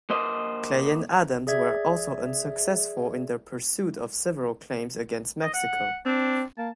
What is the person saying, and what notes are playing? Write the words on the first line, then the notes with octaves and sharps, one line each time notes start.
Clay and Adams were also unsuccessful in their pursuit of several claims against Mexico.
A#3 C5 D#5
G#4 D5 E5 G#6
D#5
F#5
C4 D4
A#3 A5